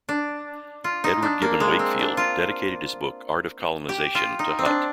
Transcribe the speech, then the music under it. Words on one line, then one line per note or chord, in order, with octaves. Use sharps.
Edward Gibbon Wakefield dedicated his book "Art of Colonization" to Hutt.
D4
F4
D#4
D4
A#3
G#3
C4
D4
F4
G4
F4
D#4
C4
D4